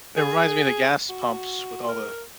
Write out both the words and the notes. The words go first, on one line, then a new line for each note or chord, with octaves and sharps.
it reminds me of the gas pumps, with all the
G#4
F#4
A#4